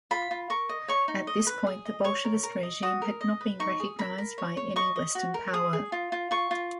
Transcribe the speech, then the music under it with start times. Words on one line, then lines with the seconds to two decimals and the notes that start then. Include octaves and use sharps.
At this point, the Bolshevist regime had not been recognized by any Western power.
0.11 F4 B5
0.31 F4
0.50 A#4 C#6
0.69 D#5
0.88 C#5 C#6
1.08 D#4
1.27 D#5
1.47 B4
1.67 G#4
1.85 D#5
2.04 C#5 C#6
2.25 A#4
2.43 A#4
2.63 D#5
2.83 F#4 D#6
3.02 A#4
3.21 D#5
3.41 B4
3.60 D#4 C#6
3.80 G#4
3.99 A#4 B5
4.18 A#4
4.38 C#5
4.57 C#5
4.76 D#5 C#6
4.96 D#5
5.15 F#4
5.34 A#4
5.53 G#4 D#6
5.73 G#4
5.92 F4
6.12 F4
6.31 F4 C#6
6.51 F4